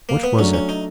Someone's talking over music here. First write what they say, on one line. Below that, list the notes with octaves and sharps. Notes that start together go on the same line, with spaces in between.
What was it?...
A#3
B3
F#3 A3 C#4 D4
C#4
D#4